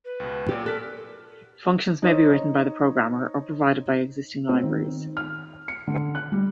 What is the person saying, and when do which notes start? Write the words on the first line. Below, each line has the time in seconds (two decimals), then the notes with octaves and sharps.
Functions may be written by the programmer or provided by existing libraries.
0.05 B4
0.20 C#2 B2
0.48 A#2 F#3 G4 D5
0.66 A4 A#4 F#6 B6
2.02 D#4 C5 C#5
4.49 C4
4.64 D#3
5.17 F6
5.68 C#7
5.87 D3
6.15 F#6
6.32 G3